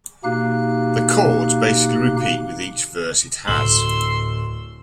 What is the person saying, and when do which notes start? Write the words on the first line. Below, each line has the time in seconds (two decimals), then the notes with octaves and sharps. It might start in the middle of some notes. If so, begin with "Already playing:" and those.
The chords basically repeat with each verse it has.
0.24 B2 A#3 D#4 G4 F5 F#6
3.47 D1 C6 E6 F#7